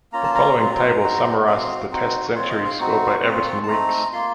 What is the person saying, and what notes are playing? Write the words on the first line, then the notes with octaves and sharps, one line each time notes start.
The following table summarises the Test centuries scored by Everton Weekes.
A#3 C#4 F4 A#5
A5
A#5
F#3 C4 F4
C4 D#4 F#4
C4 F#4 F5
C4 D#4 F#4
C4 F4 C#5
D#5
F5
C4 D#4 F#4 C#6
C4 F4
A5
A3 C4 D#4 A#5
A#3 F4 C6